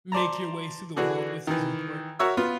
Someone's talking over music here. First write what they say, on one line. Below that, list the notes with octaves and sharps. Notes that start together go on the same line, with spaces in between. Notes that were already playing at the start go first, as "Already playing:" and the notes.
make your way through the world with is important.
C5 D5 A5 A#5
D3 E3 D4 F#4 G#4
D#3 E3
F#4 A#4 C#5 E5 E6
B3 F4